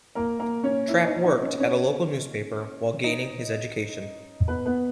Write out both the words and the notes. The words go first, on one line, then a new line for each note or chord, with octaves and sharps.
Trapp worked at a local newspaper while gaining his education.
A#3 A#4
A#3 A#4
C#4 C#5
E4 E5
D#4 D#5
D#4 D#5
C#4 C#5
C#4 C#5
D#4 D#5
B3 B4
B3 B4